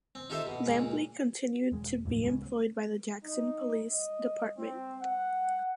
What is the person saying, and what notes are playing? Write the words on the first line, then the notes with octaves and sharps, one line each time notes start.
Lampley continued to be employed by the Jackson Police Department.
C4
D#4 F4 G4 A4 C5 E5
B2
C#2 A#2 F4
E1 G#3
E1 D2 A2 F3
C#2 G#3 B3 C#4
D#4
D#5
C4
F#5